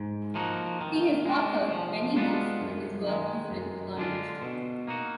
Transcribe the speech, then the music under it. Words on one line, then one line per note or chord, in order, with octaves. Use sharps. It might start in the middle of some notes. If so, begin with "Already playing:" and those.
He has authored many books, and his work has been acknowledged.
Already playing: G#2
F3 A#3 D#4 F#4
D#3
G#3 D4
F3
G#3 B3 D4 F4
F#2
D#3 G#3
F#2
D3 G#3 D4 F4
B2
A#3 D#4 F#4